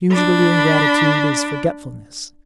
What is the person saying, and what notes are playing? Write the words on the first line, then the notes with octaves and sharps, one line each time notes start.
Usually, ingratitude is forgetfulness.
D4 B5